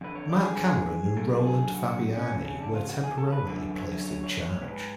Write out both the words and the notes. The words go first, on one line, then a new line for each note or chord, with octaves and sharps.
Mark Cameron and Roland Fabiani were temporarily placed in charge.
F2 D3 B4
C#5
D5
G#4
F#2 D3 A4
G#4
F#4
F#4
C#4
F2 C#3
C#4
D4
F4
F#4
G#4
A4
B4
F#2 D3 B4
C#5
C#5
C#5
C#5
G#2 B4